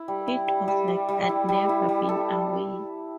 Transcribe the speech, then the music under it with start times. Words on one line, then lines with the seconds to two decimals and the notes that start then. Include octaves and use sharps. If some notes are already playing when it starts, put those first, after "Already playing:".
It was like I'd never been away.
Already playing: E4
0.08 G3
0.28 E4
0.48 G3
0.68 G3
0.88 G3
1.09 G3
1.29 E4
1.49 G3
1.69 E4
1.89 G3
2.09 A4